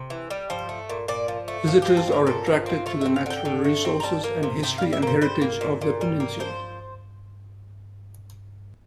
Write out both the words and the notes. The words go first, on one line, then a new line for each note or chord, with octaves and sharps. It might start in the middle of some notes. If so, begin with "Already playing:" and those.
Visitors are attracted to the natural resources, and history and heritage of the peninsula.
Already playing: C3
E3
G3
F3 C5
A3
A#2
A#2 D5
F3
A3
F3
G4
C4
A4
A#2 A#4
A#2 A4
F3
C4
A3 F4
E5
C4
F5
D3 G5
D3
A3
C4
A#5
G3 A5
A#3
C3
C3 G5
F5
G3
E5
A#3 C5
G3 C5
A#3
A#2
A#2
G3
A#3
F3 C5